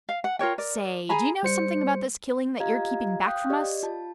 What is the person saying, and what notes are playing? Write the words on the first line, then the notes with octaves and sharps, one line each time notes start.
"Say, do you know something about this killing that you're keeping back from us?"
F5
F#5
F4 A#4 C#5 G5
A#4 D5
G#4 G#5 A#5 B5
G3 C5 C#7
F4 G4 D#5 F5 A#5 G#6
F5 G5 D#6 F#6 G6
G4 D5 D#5
F4 A5